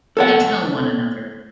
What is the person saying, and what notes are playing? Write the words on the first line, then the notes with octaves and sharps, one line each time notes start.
They tell one another.
A4 C#5 F#5